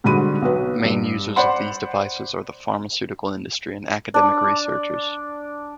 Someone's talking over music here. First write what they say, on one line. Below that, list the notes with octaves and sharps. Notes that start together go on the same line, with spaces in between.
Main users of these devices are the pharmaceutical industry and academic researchers.
G#2 D3 G3 F#4 B5 D#7
B1 F#4 B4
G2
C5 D5 F#5 B5 C6
D4 D5